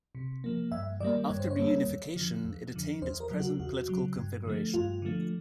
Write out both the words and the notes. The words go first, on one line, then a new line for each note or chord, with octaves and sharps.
After reunification it attained its present political configuration.
C3
F3 A#3
G2 E5
D#3 G3 A#3 D5
G2 C#5
C5
C#5
D#3 G3 A#3
F2
D3 F3
F2
D3 F3
E2 C5
A#4
C#3 F#3
F#4
E2 F#4
C#3 F#3
G2
D3 F3 A3
G2 F4
D3 F3 A3